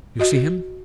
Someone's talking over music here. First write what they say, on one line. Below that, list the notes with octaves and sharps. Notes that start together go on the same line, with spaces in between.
"You see him?"
F#4 D#5